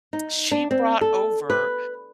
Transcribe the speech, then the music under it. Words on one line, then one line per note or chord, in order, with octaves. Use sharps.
she brought over
D#4
D4
C4
A4
B4